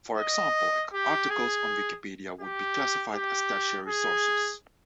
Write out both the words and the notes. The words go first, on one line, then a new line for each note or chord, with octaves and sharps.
For example, articles on Wikipedia would be classified as tertiary sources.
D#5
G4
G#4
G4
G4
G#4